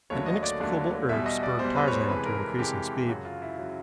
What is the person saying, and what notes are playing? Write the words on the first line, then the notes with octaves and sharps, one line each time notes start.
An inexplicable urge spurred Tarzan to increasing, speed.
D#2 D3 F#3 A3 C#5
D#5
D5
D#2 D3 F#3 A3
E2 B2 G3 E5
D#5
D5
E2 B2 G3 C5
B4
C#5
C5
F2 C3 E3 G#3 B4
A#4
F2 C3 E3 G#3 G4
F#2 C#3 F#3 F#4
F4
E4
C#3 F#3